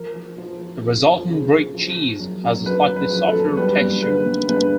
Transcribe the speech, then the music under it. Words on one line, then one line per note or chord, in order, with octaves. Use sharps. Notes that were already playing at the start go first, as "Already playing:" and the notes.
The resultant "brick cheese" has a slightly softer texture.
Already playing: F3 A#4
F3
F3
F3
F2
F3
C#3
F3
F3
F3
F#2
F#2
F#2 B4
F#2
B4
F3
A4
F#2
G3 B4
G2
D3 B4
G2
G2 B4